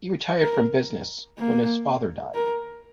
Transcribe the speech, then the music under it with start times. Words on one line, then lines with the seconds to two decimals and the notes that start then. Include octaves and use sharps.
He retired from business when his father died.
0.42 A#4
1.39 A#3
2.35 A#4